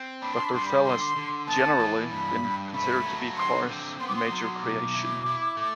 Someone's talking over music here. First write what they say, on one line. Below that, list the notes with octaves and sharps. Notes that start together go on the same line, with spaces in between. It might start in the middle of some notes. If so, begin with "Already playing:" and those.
Doctor Fell has generally been considered to be Carr's major creation.
Already playing: C4
D4 B5
C6
B5
G3 C6
B5
D3 C6
D3
B3 A5
E3
G2 B5
G2
A3 B5
F#3
D3 C6
C4
B3 C6
D6
C6
F#3
B2 D6
E4
E4
A3